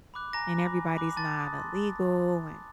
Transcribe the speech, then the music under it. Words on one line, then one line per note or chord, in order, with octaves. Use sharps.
and everybody's not illegal, and
B5 D6 F#6
G#5 A#5 A#6
B5 D6 F#6
G#5
B5 D6 F#6
A5 C6 A6
D#6 F#6
C6